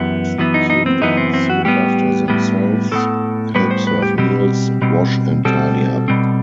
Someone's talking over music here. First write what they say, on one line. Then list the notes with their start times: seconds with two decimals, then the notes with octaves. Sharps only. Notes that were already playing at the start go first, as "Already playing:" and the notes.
Students look after themselves, help serve meals, wash and tidy up.
Already playing: F#2 E3 B3 G4
0.38 F#2 E3 B3
0.54 D#4
0.70 D#4
0.86 C4
1.01 F#2 E3 B3 D#4
1.17 C4
1.34 C4
1.50 F#4
1.65 A2 G3 B3 G4
2.28 A2 G3 B3
2.91 A2 G3 B3 A4
3.55 A2 G3 B3 B4
3.71 C5
3.87 B4
4.02 G4
4.18 B2 G3 C4 G4
4.82 B2 G3 C4
5.45 B2 G3 C4 A4
6.08 B2 G3 C4